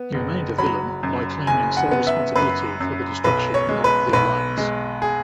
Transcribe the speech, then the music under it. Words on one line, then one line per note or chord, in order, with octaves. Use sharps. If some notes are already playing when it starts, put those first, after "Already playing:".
He remained a villain by claiming sole responsibility for the destruction of The Alliance.
Already playing: B3
F#1
F#3 B5
F#2
F#1 G#5
F#5
B3
E5
F#2 B4
F#2
B1 B4
C#5
G#3
B4
B1 B4
G#3
G#4